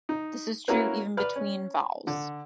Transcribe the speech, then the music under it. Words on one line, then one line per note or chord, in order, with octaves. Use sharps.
This is true even between vowels.
D#4
A#3 C#4 E4 F#4 A#4 B4
B4 D5 F6
C#4
D3